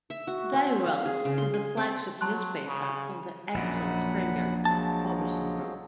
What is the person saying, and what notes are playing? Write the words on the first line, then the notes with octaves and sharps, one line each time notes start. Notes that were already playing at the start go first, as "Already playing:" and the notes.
"Die Welt" is the flagship newspaper of the Axel Springer publishing group.
E5
F#4
C4
F5
G#4
C#3
C6
G#5
C4
F#3 A5 C6 F#6
C#3
A#1 F#2 A#2 F#5 B5
F3 F#3 G#3 A5